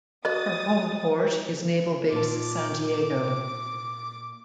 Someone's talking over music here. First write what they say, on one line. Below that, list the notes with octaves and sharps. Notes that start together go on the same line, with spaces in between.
Her homeport is Naval Base San Diego.
F#4 B4 D5 D#5 D#6 A6
A#2 A5 D6